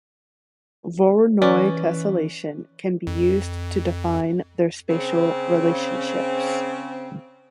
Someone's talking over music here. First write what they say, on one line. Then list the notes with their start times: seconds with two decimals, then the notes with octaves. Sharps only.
Voronoi tesselation can be used to define their spatial relationships.
1.42 E3 C#4 B4 D5 D6
3.07 F2
4.90 C#3 C4